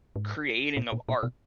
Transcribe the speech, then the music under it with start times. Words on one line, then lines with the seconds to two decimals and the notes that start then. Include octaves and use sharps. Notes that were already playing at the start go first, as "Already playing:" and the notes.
creating of art
0.16 G#2
0.77 A#2
0.92 A#2
1.08 A#2
1.23 B2